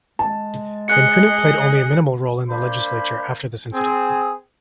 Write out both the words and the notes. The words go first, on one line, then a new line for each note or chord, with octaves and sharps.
Vankoughnet played only a minimal role in the legislature after this incident.
G#3 A5
G#4 D#5 F#6 C#7
A#3 D4 C5 B5
C4 G#4